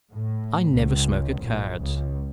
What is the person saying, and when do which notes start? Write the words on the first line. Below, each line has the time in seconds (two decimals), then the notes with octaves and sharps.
"I never smoke at cards."
0.12 A2
0.74 C#2
1.41 A#1
1.80 C#2